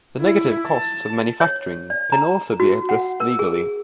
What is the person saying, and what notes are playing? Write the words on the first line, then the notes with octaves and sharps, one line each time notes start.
The negative costs of manufacturing can also be addressed legally.
E4
A5
C#5
D5
A#5
F#4
F#5
A#4
G#4